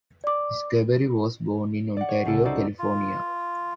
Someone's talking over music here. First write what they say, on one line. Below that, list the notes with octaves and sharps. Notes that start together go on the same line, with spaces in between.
Scarbury was born in Ontario, California.
D5 D6
D5 F#5
C#5
C2 C#3 A4
D#4 F#4 A4 C5 D5
F4